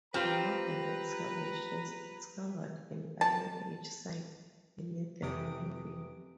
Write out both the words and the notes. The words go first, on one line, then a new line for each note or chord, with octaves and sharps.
The modern excavations discovered an Iron Age site beneath the Roman villa.
C4 F4 G4 B4 A#5 F6
A5
F2 C3 E3 D#6 D7